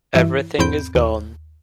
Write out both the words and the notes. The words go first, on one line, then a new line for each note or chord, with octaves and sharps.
Everything is gone.
G2 E3 E4
E2 G#2 C4 B5 G6 D7
D#2